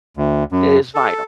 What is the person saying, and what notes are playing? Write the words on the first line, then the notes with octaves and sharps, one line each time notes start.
Is vital.
D2
F#2
A4